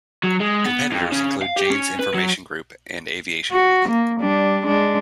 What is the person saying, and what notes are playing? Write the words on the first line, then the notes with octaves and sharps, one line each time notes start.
Competitors include Jane's Information Group and "Aviation Week".
F#3
G#3
B3
F2
C#3
F5
G4
C#4
B4
F#3
F#4
A#3
G3 D4
G#3 D4